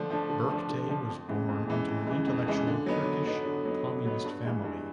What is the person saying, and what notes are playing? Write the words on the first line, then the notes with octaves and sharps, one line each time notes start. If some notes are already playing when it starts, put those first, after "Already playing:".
Berktay was born into an intellectual Turkish Communist family.
Already playing: D3 F3 A3 D4
F3 A3 D4
D3
F3 A3 D4
D3
F3 A3 D4
F2
C#3 E3 G#3
F2
C#3 E3 G#3
F2
C#3 E3 G#3
F2
C#3 E3 G#3
D3
F#3 B3 D#4
D3
F#3 B3 D#4
D3
F#3 B3 D#4
D3
F#3 B3 D#4
G2
E3 G#3
G2